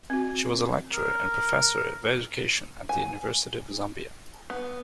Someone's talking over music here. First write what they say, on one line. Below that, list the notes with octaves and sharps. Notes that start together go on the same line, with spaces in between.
She was a lecturer and professor of education at the University of Zambia.
C4 F#4
A#4
G#5
B3